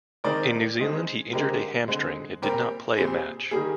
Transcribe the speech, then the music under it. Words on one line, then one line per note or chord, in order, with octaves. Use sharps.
In New Zealand he injured a hamstring and did not play a match.
D#3 G#3 C4 A#4 D5
D#3 G#3 C4
D3 G#3 C4 G4 A#4
D3 G#3 C4
A#2 G3 C4 G4 A#4
A#2 G3 C4 G#4
D#3 G3 A#3 G#4